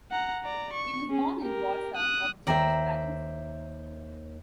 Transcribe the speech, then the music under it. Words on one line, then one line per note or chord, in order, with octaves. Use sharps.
He was born in Warsaw, of Jewish parents.
F#5 A#5
D5 A#5
C#6
C#4 G#4
G4 A#4
D#6 F#6
D#2 C5 D5 E5 G5 A#5